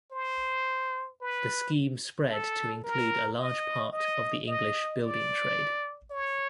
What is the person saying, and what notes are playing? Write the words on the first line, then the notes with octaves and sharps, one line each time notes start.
The scheme spread to include a large part of the English building trade.
C5
B4
A4
A#4
D#5
D#5
D#5
D5
C#5